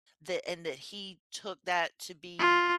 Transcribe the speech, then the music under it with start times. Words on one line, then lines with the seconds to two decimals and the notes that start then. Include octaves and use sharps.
that and that he took that to be
2.39 F4